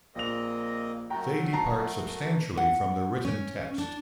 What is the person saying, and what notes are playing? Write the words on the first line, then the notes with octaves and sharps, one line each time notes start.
They depart substantially from the written text.
A#1 A#3 C4 D#5 F7
F#2 A3 F#4 G5 A#5
A5 A#5 C7
F#5
C#4
D4